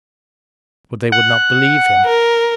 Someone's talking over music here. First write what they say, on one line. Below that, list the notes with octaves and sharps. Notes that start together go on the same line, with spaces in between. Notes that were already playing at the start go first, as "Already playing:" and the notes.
But they would not believe him.
F#5
A#4